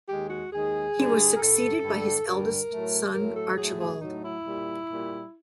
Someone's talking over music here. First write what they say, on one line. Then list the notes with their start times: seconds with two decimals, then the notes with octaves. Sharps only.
He was succeeded by his eldest son Archibald.
0.09 D#2 D#3 G#3 G4
0.30 F#4
0.52 D#2 D#3 G#3 G#4
0.96 G2 D3 G3
1.34 A#4
1.39 G2 D3 G3 A4
1.83 G2 D3 G3
2.26 G2 D3 G3 A#4
2.70 A2 F#3 A3
3.14 A2 F#3 A3 A#4
3.37 A4
3.57 A2 F#3 A3 G#4
3.80 G#4
4.02 A2 F#3 A3 D#4
4.23 E4
4.46 A#2 G3
4.89 A#2 G3